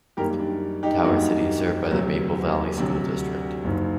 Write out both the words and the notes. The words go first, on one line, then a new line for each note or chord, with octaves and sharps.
Tower City is served by the Maple Valley School District.
F#2 D#3 G3 A#3 G4 A#4
D4
D#4 G4
F#2 D#3 G3 A#3 D4 F#4
D2 C3 F#3
D2 C3 F#3 D4
F#1 F#2 D#3